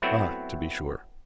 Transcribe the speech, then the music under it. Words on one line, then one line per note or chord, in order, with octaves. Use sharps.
Ah, to be sure!
F#3 A3 B3 C4 E4 F#4